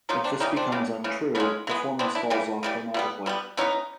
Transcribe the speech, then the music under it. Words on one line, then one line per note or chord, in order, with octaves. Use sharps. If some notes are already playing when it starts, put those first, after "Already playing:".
If this becomes untrue, performance falls off dramatically.
C#3 F#3 A#3 D#4 F4
C4 D4
C#3 E3 G3 C#4 D#4
C4 D4
C#3 E3 G3
C#3 E3 G#3
C#3 E3 G#3 B3 C#4
E3 G#3 B3
E3 G#3 B3 C4 D4
D4 E4
C#3 E3 G3
C#3 E3 G3
B2 G3 B3
B2 G3 B3
E3 G#3 B3 C#4 D#4